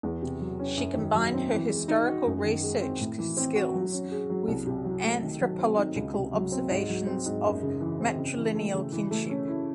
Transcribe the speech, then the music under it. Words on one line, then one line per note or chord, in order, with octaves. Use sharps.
She combined her historical research skills with anthropological observations of matrilineal kinship.
E2
C3
F#3
C#4
F#2
D#3
F#3
C4
E3
G#3
D#4
F#4
F#2
D#3
G#3
C4
A2
E3
C4
F#4
F#3
C#4
G#4
F#3
C2
C3
F#3
A3
D#3
F#3
C4
D#4
C#2
C3
F#3
C4
G#2
F#3
C4
G#2
F#2
C#3
E3
C4
C#3
E3
A3
C#3
E3
A3
C#4
E4